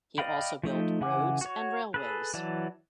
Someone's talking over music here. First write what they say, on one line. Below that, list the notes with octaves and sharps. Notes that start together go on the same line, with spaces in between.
He also built roads and railways.
D5 D#5 F5 G5 B5
F3 A3 D#4
C#3 E3 F#5 G#5 D6
F#4 C#5
G#4 A4 B4
E3 F#3 D5 A5